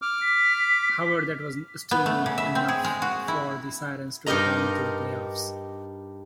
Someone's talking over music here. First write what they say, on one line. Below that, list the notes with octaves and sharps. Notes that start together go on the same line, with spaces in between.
However, that was still not enough for the Sirens to return to the playoffs.
D6 F6
B6
B3
A3
C#3
E5
C4
G#4
G#3
F#4
E4
G2 D#4 G4 A#4 D#5 A#5